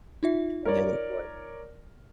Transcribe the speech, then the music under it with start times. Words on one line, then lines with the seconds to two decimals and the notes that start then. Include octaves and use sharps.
and then it was
0.23 D#4 F4 E5
0.65 A#4 C#5 D5